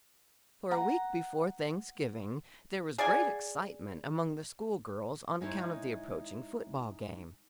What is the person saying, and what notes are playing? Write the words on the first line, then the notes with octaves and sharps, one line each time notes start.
For a week before Thanksgiving there was great excitement among the schoolgirls on account of the approaching football game.
F#5 A#5
G#4 D5 F#5 G#5
G#3 D#4 E4 C5 C#5